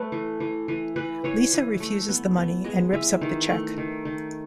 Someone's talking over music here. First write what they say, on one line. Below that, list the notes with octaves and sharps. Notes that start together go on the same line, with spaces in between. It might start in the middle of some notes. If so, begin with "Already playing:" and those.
Lisa refuses the money and rips up the cheque.
Already playing: A3 A4 B4
E3
E3
E3
E3 B4
E3 C#5
E3
A3
B3
B3
G#3 D#5
E3 E5
D#3
A3
D#3
D#3